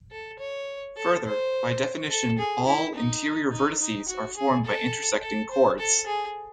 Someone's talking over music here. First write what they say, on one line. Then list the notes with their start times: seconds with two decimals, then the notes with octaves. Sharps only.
Further, by definition "all" interior vertices are formed by intersecting chords.
0.11 A4
0.39 C#5
0.97 A4
1.25 C5
2.10 A4
2.38 G#4
2.67 E4
2.95 D#4
3.52 D#4
3.80 D#4
4.09 F#4
4.37 G#4
4.65 A4
5.22 A4
5.51 C5
5.79 A4
6.07 G#4